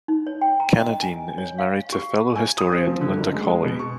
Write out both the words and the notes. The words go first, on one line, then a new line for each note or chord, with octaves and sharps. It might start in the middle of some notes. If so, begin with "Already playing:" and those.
Cannadine is married to fellow historian Linda Colley.
D#4
C#5
G5
A#5
D#5
G#5
C#5
F5
G4
G#5
D#6
C4
F3
D3
F#1
G#3
G#3
B2
C#6